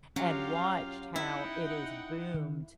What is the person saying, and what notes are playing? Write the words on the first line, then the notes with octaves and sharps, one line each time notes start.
and watched how it is boomed,
F#3 C#4 F4 G4 F5
D#4 E4 F#5 G5
D#3